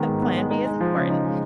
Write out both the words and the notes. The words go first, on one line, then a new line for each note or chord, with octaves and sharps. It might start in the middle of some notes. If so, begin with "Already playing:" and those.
plan B is important,
Already playing: D#3 G#3 B3
G#2
B3
G#3
D#4
G#3
F3
C#3
D#4
G#3